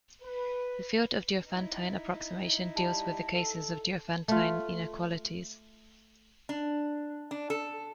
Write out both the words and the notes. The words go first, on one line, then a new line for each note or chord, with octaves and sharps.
The field of Diophantine approximation deals with the cases of "Diophantine inequalities".
B4
D#4 E4
G3 A5
A4
A3 F4
D4
D4
A4